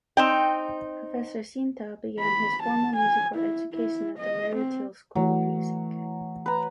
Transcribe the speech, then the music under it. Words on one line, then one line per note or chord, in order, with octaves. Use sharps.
Professor Sinta began his formal musical education at the Larry Teal School of Music.
C4 D#4 G5
B5
A5
G#5
E4
E4
D#5
C4
E3 F#3 A3
B4 A#5